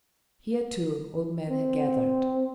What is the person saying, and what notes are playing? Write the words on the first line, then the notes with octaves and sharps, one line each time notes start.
Here, too, old men had gathered.
C4